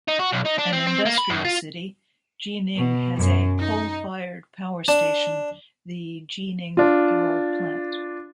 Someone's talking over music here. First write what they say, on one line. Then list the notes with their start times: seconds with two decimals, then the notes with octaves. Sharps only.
An industrial city, Jining has a coal-fired power station, the Jining Power Plant.
0.08 D#4
0.19 F#4
0.32 B1
0.45 D#4
0.58 D4
0.73 C4
0.87 C4
1.06 A#3
1.18 B5
1.30 F#2
1.45 F4
2.77 B2
3.17 F#2
3.58 D#4
4.88 D4
6.77 D4 F4